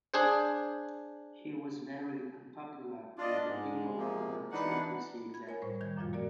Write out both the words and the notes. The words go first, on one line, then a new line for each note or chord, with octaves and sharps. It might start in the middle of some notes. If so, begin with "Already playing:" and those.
He was very unpopular with the people for the tributes he exacted.
D4 G#4 C5
D4 F4 D5 D#5
G#2 G#3
C3 F3 A#3
E3 D4 D#4 B4 F#5
B5 G#6
A#4 C#5 G#5
A2 G3 C5
D#3 G3 G6 G#6
F#2 A#2 F3 G3 F4
A#3 F#4 A#4 D5